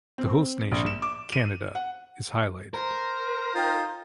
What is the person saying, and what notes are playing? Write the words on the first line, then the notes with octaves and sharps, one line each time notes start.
The host nation, Canada, is highlighted.
C4
A#1
E7
D6
D#7
F#5
A#4 C5
D#4 F4 C5 G5